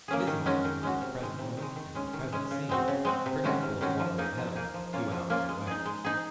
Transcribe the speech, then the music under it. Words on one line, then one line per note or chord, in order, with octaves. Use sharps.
His mind was on the present moment and the present scene, forgetful of what lay ahead of them, a few hours away.
A#3 C#4 G#4
D#3
G#3 C#4 F#4
D#3
G#3 C#4 F#4
C3
D#3 G#3
C3
D#3 G#3
D#3
G#3 C#4
D#3
G#3 C#4
C#3
G#3 C4 F#4
C#3
G#3 C4 F#4
C3
D#3 G#3 C#4 F#4
C3
D#3 G#3 C#4 F#4
F3
A#3 D#4 G#4
F3
A#3 D#4 G#4
F3
A#3 C#4 F4
F3
A#3 C#4 F4
G#3
D#4 G#4
G#3
D#4 G#4